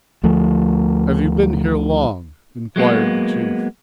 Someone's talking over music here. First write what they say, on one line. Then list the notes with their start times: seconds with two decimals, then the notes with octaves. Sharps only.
"Have you been here long?" inquired the Chief.
0.23 D2 F3 A3
2.76 F#3 G#3 A#3 B3